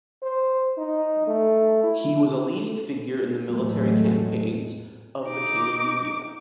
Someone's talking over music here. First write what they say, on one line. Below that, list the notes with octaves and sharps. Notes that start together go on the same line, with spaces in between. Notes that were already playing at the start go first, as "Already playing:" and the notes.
He was a leading figure in the military campaigns of the king in Nubia.
C5
D#4
A3
E4
E2 A2 F#3 G#3 A3
D#4 D6